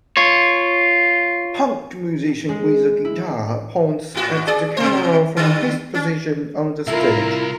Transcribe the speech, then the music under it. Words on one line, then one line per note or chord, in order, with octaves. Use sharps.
Punk musician with a guitar pouts at the camera from his position on the stage.
F4 C#5
G#3
E4
G#2 F#4
G#4 D5
B2 C5
D3 G3
C#4
C2 E4 F4 A#4